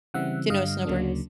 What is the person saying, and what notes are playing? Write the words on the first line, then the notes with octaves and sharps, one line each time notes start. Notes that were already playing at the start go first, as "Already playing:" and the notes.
Do you know what snowbird is?
C#3 E3 G3 C4 E5 F#5
G2 D3 G3 D#5 F5
D2 C#3 F#3 A#3 D4